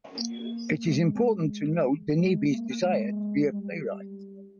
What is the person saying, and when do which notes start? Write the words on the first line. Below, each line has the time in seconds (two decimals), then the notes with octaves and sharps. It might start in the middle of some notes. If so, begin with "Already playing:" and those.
It is important to note Denevi's desire to be a playwright.
0.18 A#3
0.84 G#3
2.17 G#3
2.49 A#3
2.83 G#3
3.49 G3